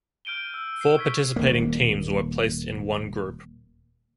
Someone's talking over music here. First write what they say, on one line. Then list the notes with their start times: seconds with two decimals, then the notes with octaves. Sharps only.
Four participating teams were placed in one group.
0.25 F6 G6 D7 D#7 G7
0.54 E6
0.81 C7
0.97 C#6 G#6 B6
1.36 D#1 A#3